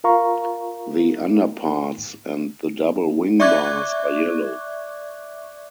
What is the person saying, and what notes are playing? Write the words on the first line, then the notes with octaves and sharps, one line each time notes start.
The underparts and the double wing bars are yellow.
F4 A#4 F5 A#5 C#6
D5 E5 C#6 D6 F#6 G#6